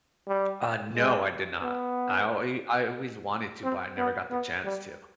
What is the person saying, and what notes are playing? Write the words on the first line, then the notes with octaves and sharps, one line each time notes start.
Uh, no, I did not, I al I always wanted to, but I never got the chance to.
G3
G#3
B3
C4
B3
B3
G3